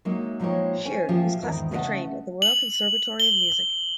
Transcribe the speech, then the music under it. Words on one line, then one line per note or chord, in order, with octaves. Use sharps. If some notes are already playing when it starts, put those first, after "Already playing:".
Sheard was classically trained at the Royal Conservatory of Music.
F#3 G#3 A#3 D#4
A#2 F3 G#3 D#4 G4 C#5
C#4 C5 G#5
A#2 F3 F4 G4 G#4
E2 G#2 D#3 A#4
C#3 A3 D#4 C5 D#5 F#5
F#7
G7